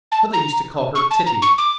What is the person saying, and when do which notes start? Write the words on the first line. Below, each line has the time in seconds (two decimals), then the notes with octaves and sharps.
So they used to call her Titty.
0.12 A5
0.33 A#5
0.95 C#6
1.11 A5
1.26 A#5
1.42 C#6
1.58 D6